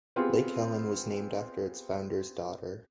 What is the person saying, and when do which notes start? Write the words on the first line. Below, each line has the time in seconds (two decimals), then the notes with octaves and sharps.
Lake Helen was named after its founder's daughter.
0.16 B3 C4 F4 G4 G#4